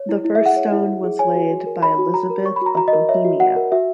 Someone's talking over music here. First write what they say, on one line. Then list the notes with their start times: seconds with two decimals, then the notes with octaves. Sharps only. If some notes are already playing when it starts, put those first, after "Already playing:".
The first stone was laid by Elizabeth of Bohemia.
Already playing: C#5
0.09 E4
0.25 E4
0.35 E5
0.40 G#4
0.46 F#5
0.56 C#5
0.72 E4
0.88 E4
1.04 G#4
1.19 C#5 G#5
1.35 F#4
1.51 F#4
1.66 A#4
1.82 C#5 B5
1.98 F#4
2.14 F#4 A#5
2.30 A#4
2.45 C#5 C#6
2.56 B5
2.61 F#4 A#5
2.77 F#4 A#5
2.88 D#5
2.93 A#4
3.09 C#5 E5
3.25 F#4
3.40 F#4 F#5
3.56 A#4
3.72 F#4 E5